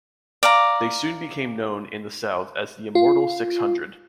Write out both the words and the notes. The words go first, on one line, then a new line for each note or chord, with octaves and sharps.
They soon became known in the South as the Immortal Six Hundred.
D5 F5 A#5
F4